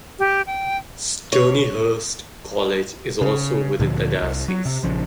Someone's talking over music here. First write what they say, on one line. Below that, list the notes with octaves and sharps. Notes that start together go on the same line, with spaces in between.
Stonyhurst College is also within the diocese.
G4
G5
C#5
C#3
D2 A#2 D3 F3
C2
F#3
C3
A#1 C#3 F3